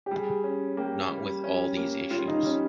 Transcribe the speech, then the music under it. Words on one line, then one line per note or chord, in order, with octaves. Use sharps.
Not with all these issues.
G4
G3 G#4
C#4
A#3 G4
G3
C#4
A#3
G3 F4
D#4
G3 C#4